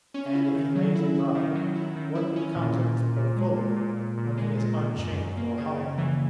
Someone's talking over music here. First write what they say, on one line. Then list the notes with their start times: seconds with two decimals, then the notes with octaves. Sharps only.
And if he lays it by, what becomes of his portfolio when he is unchained for a holiday?
0.14 C#4
0.35 E4
0.55 D#3
0.75 F#3
0.95 E4
1.15 E4
1.35 D#3
1.55 F#3
1.75 E4
1.96 D#3
2.15 E4
2.36 C#4
2.56 A#2
2.76 A#2
2.96 A#2
3.16 A#2
3.36 G#3
3.57 A#2
3.77 A#2
3.97 A#2
4.17 A#2
4.37 G#3
4.57 A#2
4.77 A#2
4.98 F#2
5.18 F#2
5.37 A#3
5.58 C#3
5.78 C#3
5.98 E3